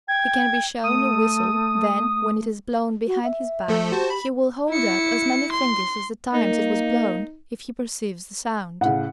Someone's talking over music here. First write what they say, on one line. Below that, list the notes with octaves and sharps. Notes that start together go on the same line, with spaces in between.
He can be shown a whistle, then, when it is blown behind his back, he will hold up as many fingers as the times it was blown, if he perceives the sound.
G5 G#6
A3 D#6
F#4
E5
F3 A3 A4
F#4 G4 C5 A5
B5
E4 C#7
C6
A#3 D#4
A2 C#3 F#5